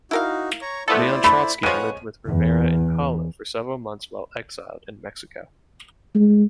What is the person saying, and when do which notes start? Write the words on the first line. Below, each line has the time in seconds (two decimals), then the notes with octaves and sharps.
Leon Trotsky lived with Rivera and Kahlo for several months while exiled in Mexico.
0.11 D#4 E4 F#4 A#4 F5
0.62 C#5 A#5 C#6
0.88 A3 B3 E4 F4 A4 C5 D5
1.24 A3 B5
1.63 F2 F3 G#3 B4 C#5 F#5 D#7
2.25 E2
6.15 G#3